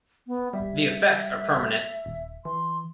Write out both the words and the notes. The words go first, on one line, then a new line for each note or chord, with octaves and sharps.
The effects are permanent.
B3
G3 E5
D#1
E3 C6